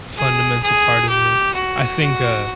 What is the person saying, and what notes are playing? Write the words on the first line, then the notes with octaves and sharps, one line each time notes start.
fundamental part of me. I think, uh,
G#4
G#4
G4
F#4
F#4